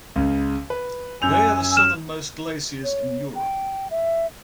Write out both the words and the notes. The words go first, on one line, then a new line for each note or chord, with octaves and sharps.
They are the southernmost glaciers in Europe.
C#2 C#3
B4
F#2 G#5 E6 G6 F7
F6 E7
C#5
G5
E5